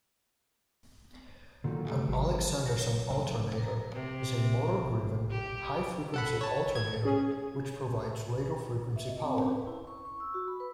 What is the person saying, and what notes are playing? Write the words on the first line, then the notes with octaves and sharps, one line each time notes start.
An Alexanderson alternator is a motor-driven, high-frequency alternator which provides radio frequency power.
A#2 D3 D#3 F#3
F#2 G3 A3
G#1 F#3 G#3
F#3 C#5
F1 C#3
A#4 A#5
C3
G4
A4 F#5 B5
C#5 A5
G#6
C#4 G#4
E5
D#5
C4
C#4
B4
E4
C#6
C#6
E6
F#4
B5
B4